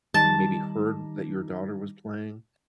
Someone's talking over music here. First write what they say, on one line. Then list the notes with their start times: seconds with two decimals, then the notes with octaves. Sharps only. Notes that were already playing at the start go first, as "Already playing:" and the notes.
maybe heard that your daughter was playing.
0.14 D#3 G3 D#4 A5